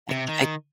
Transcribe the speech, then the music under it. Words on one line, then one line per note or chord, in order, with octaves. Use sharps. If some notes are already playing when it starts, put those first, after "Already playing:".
I I
C3
D#3